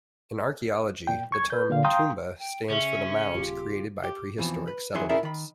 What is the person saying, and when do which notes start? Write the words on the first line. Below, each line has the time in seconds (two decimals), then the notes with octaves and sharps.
In archaeology the term Toumba stands for the mounds created by prehistoric settlements.
1.07 A#2 G5
1.31 C2 C#6 G#6
1.50 B4 G6
1.70 A#2 D3 F5
1.84 F5 G5 A#5 C6 D#6 G6
2.39 G5
2.70 C#3 C#4 G#4 E5
3.34 D#1 F4 G4
4.04 G4
4.38 F2 B2 E3 F3
4.68 B4
4.94 F2 D#3 F#3 E4 G#4 C6
5.09 C#4 E4 G#4 A#4 D5 E5
5.23 D#3 B5